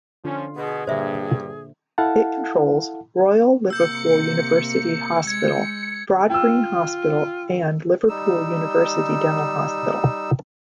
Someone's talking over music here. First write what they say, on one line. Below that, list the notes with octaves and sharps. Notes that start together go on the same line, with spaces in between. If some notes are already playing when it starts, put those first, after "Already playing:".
It controls Royal Liverpool University Hospital, Broadgreen Hospital and Liverpool University Dental Hospital.
D3 F3 C#4 D4 F4
B2 G#4
G2 A#2 D3 C5 E5
E4 A4 F5 F#5 A5
C3 A#3 E6 G6 C#7
G#3 G#6
F4 G5 E6
G3 D#4 E6